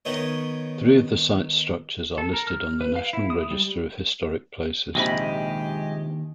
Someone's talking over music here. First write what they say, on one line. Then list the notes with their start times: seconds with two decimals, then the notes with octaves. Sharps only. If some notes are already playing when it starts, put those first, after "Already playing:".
Three of the site's structures are listed on the National Register of Historic Places.
0.05 D#3 B3 D#4 C#5
2.18 A4
2.33 A#4
2.47 F6
2.81 B4
2.96 F5
3.13 E4
3.30 D#6
3.51 G3
4.95 A#1 D#2 C3 D#3 G#3 G4 D#5 B5